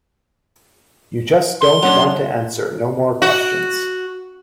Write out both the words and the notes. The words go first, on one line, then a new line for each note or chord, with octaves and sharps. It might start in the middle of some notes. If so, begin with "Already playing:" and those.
You just don't want to answer no more questions.
C6
F#3 C#4 D4
F#4